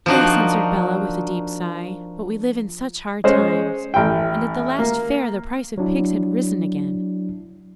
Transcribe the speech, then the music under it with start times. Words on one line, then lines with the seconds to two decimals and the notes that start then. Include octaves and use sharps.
'Yes,' answered Bellah, with a deep sigh; 'but we live in such hard times, and at the last fair the price of pigs had risen again.'
0.06 F3 A#3 D4 D#4 F#4
3.24 G#3 C#4 C5 C#5
3.94 A1 G5
4.79 A#3
5.78 F#3 D4 E4